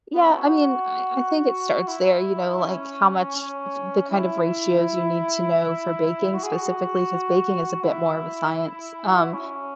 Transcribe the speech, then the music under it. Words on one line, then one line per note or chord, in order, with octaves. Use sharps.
Yeah, I mean, I I think it starts there, you know, like how much f the kind of ratios you need to know for baking, specifically, 'cause baking is a bit more of a science, um,
B3
C#4
E4
F#4
E4
C#4
C#4
E4
F#4
G#4
F#4
E4
F#4
E4
C#4